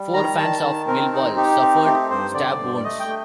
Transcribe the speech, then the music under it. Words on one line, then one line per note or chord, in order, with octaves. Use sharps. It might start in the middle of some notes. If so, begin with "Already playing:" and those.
Four fans of Millwall suffered stab wounds.
Already playing: G3
D#3 A#5
D#3 A5
D#3
C4 A#4
D#4
D#4 G4
C4
A3 G4
G2 C5
D3 D5
G2
D5
A3 D#5
G5
A3